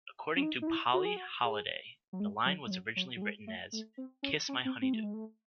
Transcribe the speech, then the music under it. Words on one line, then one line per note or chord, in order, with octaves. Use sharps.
According to Polly Holliday, the line was originally written as, Kiss my honeydew!
C#4
D#4
D#4
E4
F#4
G#4
F#4
G#4
F#3
G#3
F#3
G#3
F#3
F#3
F#3
G#3
A3
A3
C4
C#4
C#4
C4
C4
A3
G#3
A3